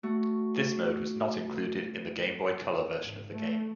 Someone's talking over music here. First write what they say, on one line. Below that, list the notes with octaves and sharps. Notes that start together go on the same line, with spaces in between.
This mode was not included in the Game Boy Color version of the game.
A3 F#4
G#1
A3